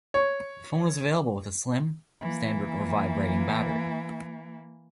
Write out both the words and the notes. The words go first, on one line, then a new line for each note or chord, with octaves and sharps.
The phone was available with a slim, standard or vibrating battery.
C#5
E3 A#3